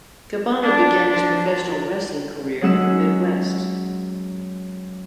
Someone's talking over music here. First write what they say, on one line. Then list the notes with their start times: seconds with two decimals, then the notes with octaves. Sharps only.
Cabana began his professional wrestling career in the Midwest.
0.62 D4
1.09 F3 D4
2.61 F#3 G#3 C#4 F#5 E6